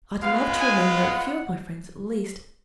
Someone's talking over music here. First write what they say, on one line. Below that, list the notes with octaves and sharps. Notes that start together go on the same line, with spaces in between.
I'd love to remember a few of my friends at least.
G#3 B3 F4 F5
G#5
F#5